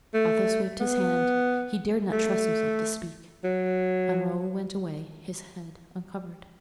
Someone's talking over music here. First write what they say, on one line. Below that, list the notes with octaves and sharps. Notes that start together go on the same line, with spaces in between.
Athos waved his hand--he dared not trust himself to speak: and Raoul went away, his head uncovered.
A3
B3
A3
F#3